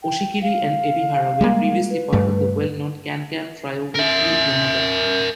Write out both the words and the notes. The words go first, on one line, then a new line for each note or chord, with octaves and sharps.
Oshikiri and Ebihara were previously part of the well-known CanCam trio with Yu Yamada.
G5
F5
G3 G#3 A#3
B4
G2 G3 A3
A#4 E5